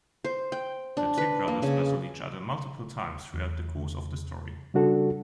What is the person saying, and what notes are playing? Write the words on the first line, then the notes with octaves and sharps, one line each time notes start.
The two brothers battle each other multiple times throughout the course of the story.
C5
G5
D4
B4
A#3
C#3
E2
C#3 G3 D4 F#4 A4